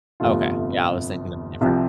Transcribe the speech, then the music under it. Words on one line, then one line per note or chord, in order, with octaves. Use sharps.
Okay. Yeah, I was thinking of a different
G1 F2 C3 A3 F4
C2 C3 F3 C4